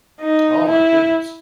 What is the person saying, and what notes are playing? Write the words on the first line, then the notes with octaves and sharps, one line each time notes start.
Oh my goodness.
D#4
E4